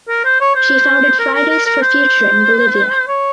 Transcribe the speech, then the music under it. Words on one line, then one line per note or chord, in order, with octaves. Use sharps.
She founded Fridays For Future in Bolivia.
A#4
C5
C#5
C5
A#4
A#4
A#4
A#4
C5
C#5